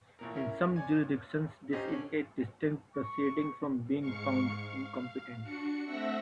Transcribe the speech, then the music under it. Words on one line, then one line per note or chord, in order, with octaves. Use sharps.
In some jurisdictions, this is a distinct proceeding from being "found incompetent".
A1 A#2 A#4
C#4 E4 A#4
C#5 D5 G#5
C#4 D#4 G4 C5
D3 C#4
C#6
G#2 F5 C#6 C#7
F5
D4 F#4 C#7
A3 C4 E5 F#5 E6 A#6